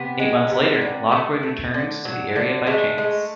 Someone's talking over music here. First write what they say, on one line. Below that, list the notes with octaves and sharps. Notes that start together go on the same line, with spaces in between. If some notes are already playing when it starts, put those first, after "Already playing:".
Eight months later, Lockwood returns to the area by chance.
Already playing: C3 B3
G#3
C3
D3
A3
A3
D3
F#3
D3
G#3 A3
G#3